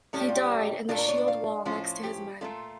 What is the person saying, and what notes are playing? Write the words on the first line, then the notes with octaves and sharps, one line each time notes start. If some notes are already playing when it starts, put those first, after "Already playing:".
He died in the shield wall next to his men.
A2 G3 C#4 A4
G4
F4
G4
A#2 A3 D4 F4 A4
A#4
C#5
D5
F5
A2 F3 C#4 F4
G4
A#2 A3 C#4 F4 A4